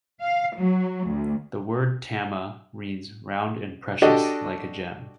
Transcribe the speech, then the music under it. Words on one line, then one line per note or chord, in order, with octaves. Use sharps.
The word "tama" means "round and precious", like a gem.
F5
F#3
D2
D4 F#4 G4 A4 D5 D#5